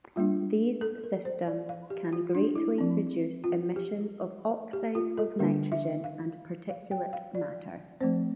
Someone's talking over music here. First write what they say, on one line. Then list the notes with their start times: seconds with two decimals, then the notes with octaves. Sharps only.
These systems can greatly reduce emissions of oxides of nitrogen and particulate matter.
0.16 G3 A#3 D4 F4
0.81 A4
1.04 A#4
1.25 C5
1.47 D5
1.69 F5
1.90 G4
2.13 F4
2.35 D4
2.55 E4
2.78 F3 C4
3.44 F4
3.76 G4
4.73 G4
4.95 F4
5.18 A4
5.39 D3 G3 A#3 D4 A#4
5.72 E5
6.04 F5
6.70 F5
6.91 G5
7.13 F5
7.35 D5
8.00 F3 A3 C4 C5